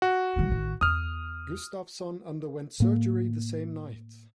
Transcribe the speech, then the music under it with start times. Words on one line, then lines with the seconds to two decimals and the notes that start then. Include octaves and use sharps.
Gustafsson underwent surgery the same night.
0.02 F#4
0.36 D#3 G3
0.49 A1 D#3
0.81 E2 D#6 F6
2.80 A2 A#3